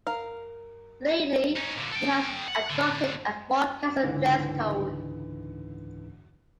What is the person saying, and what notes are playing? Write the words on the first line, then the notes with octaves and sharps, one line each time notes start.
Lately, he has adopted a more casual dress code.
A#4 F5
C#4 D#4
A#2 D3
A4 G5
F#5
A2 D3
C#2 G#2 D3 E3